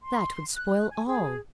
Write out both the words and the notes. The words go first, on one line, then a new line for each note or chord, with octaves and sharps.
'That would spoil all.
C6
F#6
G#5
G#4